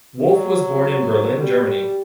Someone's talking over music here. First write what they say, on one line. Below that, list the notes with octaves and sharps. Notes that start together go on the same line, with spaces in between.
Wolff was born in Berlin, Germany.
F#3
G3